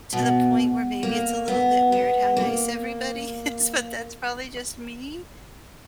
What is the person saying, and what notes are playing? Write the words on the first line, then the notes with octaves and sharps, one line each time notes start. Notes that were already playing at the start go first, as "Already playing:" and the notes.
to the point where maybe it's a little bit weird how nice everybody is, but that's probably just me.
B2
A#3
B3
B3
A#3